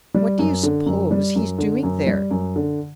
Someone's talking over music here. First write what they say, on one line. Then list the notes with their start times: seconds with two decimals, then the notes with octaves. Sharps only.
What do you suppose he's doing there?
0.14 G3
0.39 F#2
0.63 D3
0.86 F#2
1.11 G3
1.36 F#2
1.58 D3
1.83 F#2
2.07 G3
2.31 F#2
2.56 D3